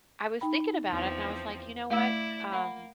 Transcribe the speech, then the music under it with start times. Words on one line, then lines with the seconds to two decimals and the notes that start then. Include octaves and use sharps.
I was thinking about it, and I was like, "You know what, um,
0.41 D#4 G5 B5
0.89 E2 F3 C4
1.90 A3 E4 D5 F5 E6
2.52 A#3 F#5 B5